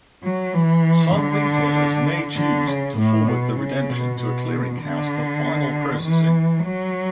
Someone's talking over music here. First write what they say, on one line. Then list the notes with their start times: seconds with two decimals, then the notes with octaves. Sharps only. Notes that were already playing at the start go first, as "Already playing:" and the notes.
Some retailers may choose to forward the redemption to a clearinghouse for final processing.
0.23 F#3
0.54 E3
1.15 D3
2.37 D3
2.67 C#3
2.98 A2
3.28 B2
3.59 C#3
3.90 B2
4.20 B2
4.81 D3
6.03 E3
6.64 F#3